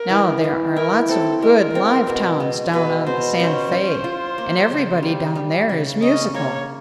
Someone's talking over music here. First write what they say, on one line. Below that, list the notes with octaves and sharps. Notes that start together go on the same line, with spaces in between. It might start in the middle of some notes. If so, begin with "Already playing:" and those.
Now, there are lots of good live towns down on the Santa Fe, and everybody down there is musical.
Already playing: A#4
E3
E3
E4 A#4
C4 A4
G#3 A#4
C4
B2
G#3
B2 B4
B2 C5
C#4 C5
C#4
F4
A#3
C#3
G3
G3
C#3
C#4 D#5
A#3 C#5